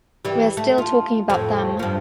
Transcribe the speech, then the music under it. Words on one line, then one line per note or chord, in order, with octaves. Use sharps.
We are still talking about them.
E3 G3
A3
F4
F2 A2
G2 F3